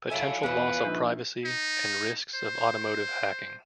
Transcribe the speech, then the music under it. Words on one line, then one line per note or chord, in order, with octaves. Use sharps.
Potential loss of privacy and risks of automotive hacking.
F#3 E4 A4 F5 G#5
E2 E3 F3 B4
A#1 D#4 G6
D#4
C5